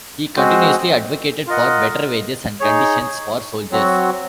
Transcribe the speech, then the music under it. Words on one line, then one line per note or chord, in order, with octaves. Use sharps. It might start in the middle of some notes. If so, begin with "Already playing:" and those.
He continuously advocated for better wages and conditions for soldiers.
G#3 C4 F#4 C5
F4 A#4 D#5 F#5
D#4 G#4 C#5
F#3 C4 F#4